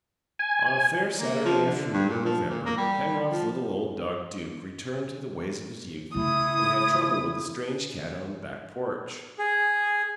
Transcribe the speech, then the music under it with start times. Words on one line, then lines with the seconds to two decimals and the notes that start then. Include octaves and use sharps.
On a fair Saturday afternoon in November Penrod's little old dog Duke returned to the ways of his youth and had trouble with a strange cat on the back porch.
0.39 G#5
1.20 A#3
1.45 F3
1.66 D3
1.93 G2
2.10 A#2
2.25 F3
2.49 A#2
2.66 A#3
2.78 G3
3.30 F3
6.15 C#3 A3 E4 D#6
9.38 G#4